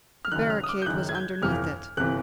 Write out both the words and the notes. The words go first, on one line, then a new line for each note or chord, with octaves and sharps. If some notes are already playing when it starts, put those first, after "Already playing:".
The barricade was underneath it.
F6
F#1 F#2 D#3 F#6
F6
D#6
D6
G6
F#1 F#2 D#3 F#6
G#6
G6
G1 F2 C3 E3 F6
G1 C3 E3 F#6